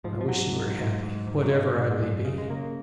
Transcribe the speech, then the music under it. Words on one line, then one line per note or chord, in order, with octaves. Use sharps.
"I wish you were happy, whatever I may be!"
G#2 F3
F3
G#2 F#3
G#2
G#2
G#2
G#2
F#3
G#2 G#3
G#2
F#2
C#3
G#3
C#3 A#3